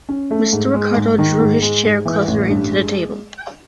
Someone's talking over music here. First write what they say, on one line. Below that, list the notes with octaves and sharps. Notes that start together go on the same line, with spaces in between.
Mr. Ricardo drew his chair closer in to the table.
C#4
A3
G#2
G#3
G#2
D#3
G#2
G#3
G#2
E3
A1
G2
G#3